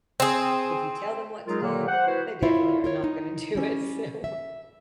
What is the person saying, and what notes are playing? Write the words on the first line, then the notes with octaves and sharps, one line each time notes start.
if you tell them what to do, they definitely are not going to do it, so
C4 G#4
F#3 G#3 D#4 F4 G#4 A#4
A#2 D3 D#3 F#3 A#3
C5 F#5
E4 F#4 B4 C5
E4 F4 A#4 C#5 E5 F5
F4 A#4 C#5
D#4
G3 C#4
E5